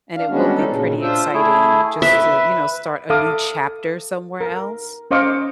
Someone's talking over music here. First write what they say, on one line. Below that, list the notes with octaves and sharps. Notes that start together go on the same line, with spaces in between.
and it will be pretty exciting just to, you know, start a new chapter somewhere else.
D4 F5
G3 G#3 B3 C#4 D4 F#4
C3 E3 F#3 C#4 D#4 A4
A#2 C#3
D4 F4 C5 E5
A3 E4 G#4
B4 E5
A4 E5 F5 D6 D#6
A#4
C#4 C5 D#5 F5 C#6 D6